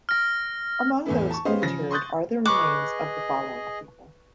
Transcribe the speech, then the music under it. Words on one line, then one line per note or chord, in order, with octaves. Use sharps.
Among those interred are the remains of the following people.
F6 A#6
E2 A2 E3 A3 B3 E4
A5 C#6
B3 C#4 G4 C5 D#5 F5
C#3 F3 A#6
C6 C#6 D#6 F#6 G6 A6
G#4 B4 D#5 C#6 D6 F#6